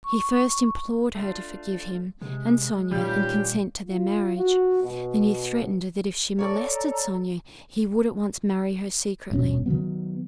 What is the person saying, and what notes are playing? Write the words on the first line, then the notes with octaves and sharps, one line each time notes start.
He first implored her to forgive him and Sonya and consent to their marriage, then he threatened that if she molested Sonya he would at once marry her secretly.
C#6
A3 D4 F4
C3 G#3
A#2 D#3 G3 C#4 F4 G4 B4
F4
F#4
B2
A4 C#5 D5 A#5
D#1 G2 B2 C#4
D#3 F3 F#3 B3